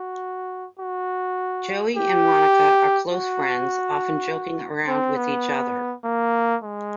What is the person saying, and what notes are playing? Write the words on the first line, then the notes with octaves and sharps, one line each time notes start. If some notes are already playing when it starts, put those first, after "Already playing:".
Joey and Monica are close friends often joking around with each other.
Already playing: F#4
F#4
G4
F#4
C4
B3
A#3
G#3